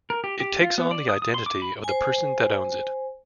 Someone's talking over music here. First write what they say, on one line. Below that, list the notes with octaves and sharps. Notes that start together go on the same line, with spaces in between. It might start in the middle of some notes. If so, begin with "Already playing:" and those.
It takes on the identity of the person that owns it.
A#4
G4
G4
F4
B3
D5
D#6
D#6
C6
D6
B5
C5 G#5